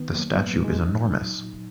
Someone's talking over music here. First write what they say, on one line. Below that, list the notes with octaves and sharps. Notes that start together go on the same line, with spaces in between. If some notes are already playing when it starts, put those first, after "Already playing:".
The statue is enormous.
Already playing: D#3 B3
F#3 A#3
F#3 B3
A#3
A#2 G#3
G#3
F3 D#4
A#2
F#3
A#2